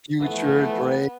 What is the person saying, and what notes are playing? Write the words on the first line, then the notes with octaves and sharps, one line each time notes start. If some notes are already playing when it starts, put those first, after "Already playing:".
Future, Drake.
E3 F3 A3 B3